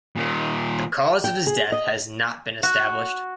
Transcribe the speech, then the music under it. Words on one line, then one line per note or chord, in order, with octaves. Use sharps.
The cause of his death has not been established.
A#2 D#3
G5
G#4
D#5
F#4